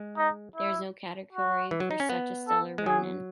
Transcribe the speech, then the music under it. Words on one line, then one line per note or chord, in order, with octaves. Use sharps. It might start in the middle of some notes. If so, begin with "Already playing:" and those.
There is no category for such a stellar remnant.
Already playing: G#3
D#4
E4
F#4
E3
F#3
D#4
C#4
B3
A4
G#3
F#3 G#4